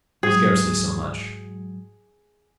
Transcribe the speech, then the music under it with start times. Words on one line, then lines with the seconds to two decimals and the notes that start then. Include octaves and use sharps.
"Scarcely so much."
0.23 G#2 F#3 G#4